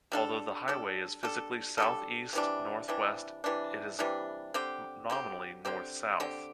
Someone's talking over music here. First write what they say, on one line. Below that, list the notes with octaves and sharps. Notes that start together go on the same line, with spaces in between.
Although the highway is physically southeast-northwest, it is nominally north-south.
G3 D4 A4
G3 D4 A4
G3 D4 A4
G3 D4 A4
C3 E3 G3 D4
C3 E3 G3 D4
C3 E3 G3 D4
C3 E3 G3 D4
D3 C4 G4
D3 C4 G4
D3 C4 G4
D3 C4 G4